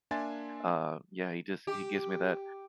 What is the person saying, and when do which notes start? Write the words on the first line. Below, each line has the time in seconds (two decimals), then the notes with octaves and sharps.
uh, yeah, he just he gives me that
0.11 A#3 D4 E5 G#5 C6 A6
1.67 G4